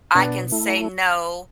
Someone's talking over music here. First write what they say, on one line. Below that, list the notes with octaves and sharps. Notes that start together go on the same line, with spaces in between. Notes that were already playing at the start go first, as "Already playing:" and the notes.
I can say, "No."
B2 B3 D4
A3 E4